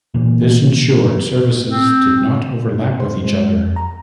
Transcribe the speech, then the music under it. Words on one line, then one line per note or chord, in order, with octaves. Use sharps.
This ensured services did not overlap with each other.
A#2 E3 A#3
C4
C5
G#3
F2
A#5